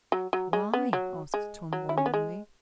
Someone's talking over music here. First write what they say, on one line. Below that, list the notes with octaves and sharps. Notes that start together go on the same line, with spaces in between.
"Why?" asked Tom, wonderingly.
F#3
F#3
G#3
B3
F#3
G#3
F#3
E4
C#4
B3
G#3